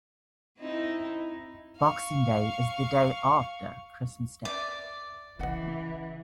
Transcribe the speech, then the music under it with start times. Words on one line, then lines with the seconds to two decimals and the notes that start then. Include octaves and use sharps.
Boxing Day is the day after Christmas Day.
0.59 C4 D#4 E4
1.77 F5 C#6
4.45 D5 E5 D6
5.39 C#3 E3 B4 D#5 F#5